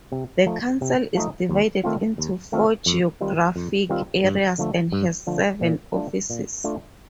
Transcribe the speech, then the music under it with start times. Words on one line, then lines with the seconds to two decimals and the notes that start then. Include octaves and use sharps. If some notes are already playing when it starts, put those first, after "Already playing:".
The council is divided into four geographic areas and has seven offices.
0.12 C3
0.46 F3 A3 D#4
0.81 C3
1.15 F3 A3 D#4
1.49 D#2
1.84 D#3 A3 C4 F4
2.18 D#2
2.52 D#3 A3 C4 F4
2.86 F2
3.21 D#3 G3 C4 F4
3.56 F2
3.90 D#3 G3 C4 F4
4.24 G2
4.58 D3 F3 A3
4.92 G2
5.27 D3 F3 A3
5.61 A#2
5.95 A3 D4 F4
6.30 A#2
6.64 A3 D4 F4